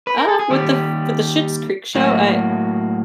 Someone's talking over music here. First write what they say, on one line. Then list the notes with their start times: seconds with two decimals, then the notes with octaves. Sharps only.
Uh, with the f with the Schitt's Creek show, I
0.07 B4
0.18 A#4
0.28 A4
0.39 G#4
0.50 D#2 D#3 G3 G4
1.95 A2 F#3 A#3 F#4